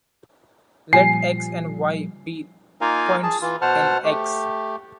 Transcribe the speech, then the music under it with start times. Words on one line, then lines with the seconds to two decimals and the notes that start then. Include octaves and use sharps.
Let "x" and "y" be points in "X".
0.93 A#2 F3 G3 G#5 C7
2.81 A#3 D#4 F4 A#4 F5 G#5
3.23 G#4 A5
3.42 E3 F4
3.62 B2 C5 F#5 A5 F6
4.04 A3 G4